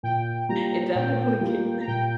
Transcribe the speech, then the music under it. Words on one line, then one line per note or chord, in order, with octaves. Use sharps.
it definitely kicked in.
A#2 G5
G3 A#3 F4 A#5
A#2 G5
G3 A#3 F4
A#5
A#2 G5